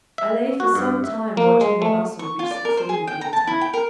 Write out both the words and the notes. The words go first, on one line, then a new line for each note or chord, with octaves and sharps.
I lay for some time watching the bustle which succeeded the attack.
E5
F#4
G2
E5
A#3
G#3
A3
C#6
F4
D5
A#4
C5
G#4
G5
A#5
A5
E4
G5
A#4